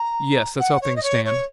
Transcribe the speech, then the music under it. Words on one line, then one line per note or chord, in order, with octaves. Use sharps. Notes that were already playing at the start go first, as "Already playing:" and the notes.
"Yes--that's how things stand."
Already playing: A#5
F#5
C#5
D#5
C#5
C#5